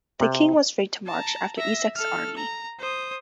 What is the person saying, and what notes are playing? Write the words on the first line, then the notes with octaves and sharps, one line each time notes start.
The King was free to march after Essex's army.
C3
A5 A#5
E5 A#6
A4 F6
A#5
C5 D#6